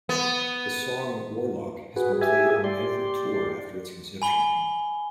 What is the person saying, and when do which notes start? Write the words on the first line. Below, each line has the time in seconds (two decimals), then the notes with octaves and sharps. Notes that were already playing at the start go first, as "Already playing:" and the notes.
The song "Worlock" has been played on every tour after its conception.
0.09 B3
1.96 F#4 G#4 B4
2.21 G4 G#4 E5 G#5
2.64 G4 D5 C6
4.22 G#5 B5 G7